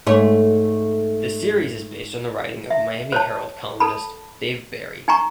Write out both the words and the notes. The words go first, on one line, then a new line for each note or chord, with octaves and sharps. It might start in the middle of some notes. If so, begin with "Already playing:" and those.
The series is based on the writing of "Miami Herald" columnist Dave Barry.
G#2 A3 C#5
E5
C5 C#5 A5
A4 A5 B5
D#4 G#5 A#5 C#6